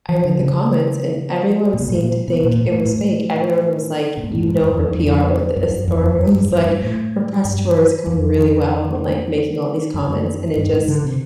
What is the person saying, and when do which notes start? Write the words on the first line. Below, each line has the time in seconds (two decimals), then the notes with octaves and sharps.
I read the comments and everyone seemed to think it was fake. Everyone was, like, "You know her PR wrote this." Or, everyone was, like, "Her press tour is going really well," and, like, making all these comments, and it just
0.09 E3
0.25 D3
0.40 C#3
1.73 A#2
1.81 B2
1.89 A2
1.97 A#2
2.28 B2
2.44 A#2
2.65 A2
2.85 A2
4.17 A#2
4.24 A2
4.31 G#2
4.41 A2
4.48 G#2
4.63 F2
4.78 E2
4.95 F2
5.56 F#2
5.72 F#2
5.88 F2
6.03 F2
6.19 F#2
6.35 G2
6.50 F#2
6.60 G#2
6.65 G2
6.82 A2
7.45 G2
8.07 F2
9.94 F#2
10.56 G2
10.73 G#2
10.88 D3
11.04 C3